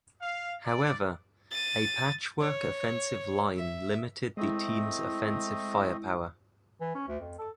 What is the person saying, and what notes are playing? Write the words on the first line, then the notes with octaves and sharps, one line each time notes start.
However, a patchwork offensive line limited the team's offensive firepower.
F5
D5
A6 D#7
C#5
E5
G#3 A3 C4 E4 D#5
E3
C#4
D2
F2
A4